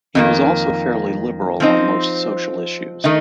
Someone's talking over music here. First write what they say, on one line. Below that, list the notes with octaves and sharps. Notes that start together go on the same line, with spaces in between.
He was also fairly liberal on most social issues.
F2 D#3 A#3
F3 C4 D#4
D#3 A3 D#4